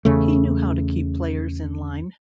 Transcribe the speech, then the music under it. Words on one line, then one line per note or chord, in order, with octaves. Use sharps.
He knew how to keep players in line.
E2 C#3 A3